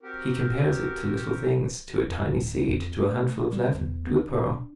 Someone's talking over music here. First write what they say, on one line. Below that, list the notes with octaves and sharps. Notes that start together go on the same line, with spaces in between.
He compares it to little things, to a tiny seed, to a handful of leaven, to a pearl.
C4 F#4 G4 A#4
F2
D1
F2
A3
G3
E2
B3
D4